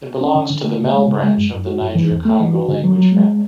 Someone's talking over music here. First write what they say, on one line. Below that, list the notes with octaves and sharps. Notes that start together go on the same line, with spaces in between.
It belongs to the Mel branch of the Niger-Congo language family.
C#4
D3
D3
A3
C#3
G#3
C#3
G#3
F#2
F#2
F#4
F#2
E3
E2
A3
E3
F#4
D3
F#3
F#3
G#3